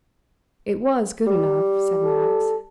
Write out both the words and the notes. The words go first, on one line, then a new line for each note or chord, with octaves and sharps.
"It was good enough," said Max.
G3
A4